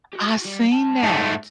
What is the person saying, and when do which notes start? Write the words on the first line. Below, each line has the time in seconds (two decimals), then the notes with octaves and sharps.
I seen that.
0.13 F#4 G4
0.45 G3
0.73 G3 A5
1.03 G#2 A3